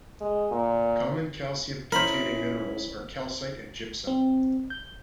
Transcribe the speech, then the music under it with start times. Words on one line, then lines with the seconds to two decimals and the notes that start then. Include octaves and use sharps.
Common calcium-containing minerals are calcite and gypsum.
0.21 G#3
0.51 A#2
1.92 C#4 E4 A#4 C5 B5
4.07 C4
4.70 G6